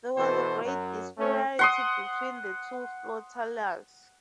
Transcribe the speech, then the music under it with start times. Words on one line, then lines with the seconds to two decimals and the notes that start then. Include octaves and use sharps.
There was a great disparity between the two flotillas.
0.17 B2 E3 F#4 A4 B4 C5
0.64 F#2 F#3
1.18 A3 C#4
1.59 F#5 C6 D#6